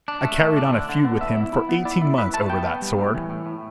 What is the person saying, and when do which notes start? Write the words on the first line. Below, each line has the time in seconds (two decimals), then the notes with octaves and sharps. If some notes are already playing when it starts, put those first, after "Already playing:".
I carried on a feud with him for eighteen months over that sword.
0.08 D4
0.24 A3
0.40 A2
0.57 D4
0.73 D3
0.89 D3
1.05 B3
1.21 A2 E5
1.37 E4
1.53 E4
1.69 B3
1.85 E4 D5
2.01 E4
2.18 E4 B4
2.33 A3 A5
2.49 B3 G5
2.66 B3
2.82 G3
2.98 A2
3.15 E3
3.30 A2
3.46 A2